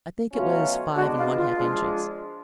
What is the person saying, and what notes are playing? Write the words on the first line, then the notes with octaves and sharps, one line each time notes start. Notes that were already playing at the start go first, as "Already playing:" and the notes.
I think it was five and one-half inches.
B2 F#3 A3 C#4 F4
B2 G#3 B3 D4 F#4
F4
F4
F3 G#3 D4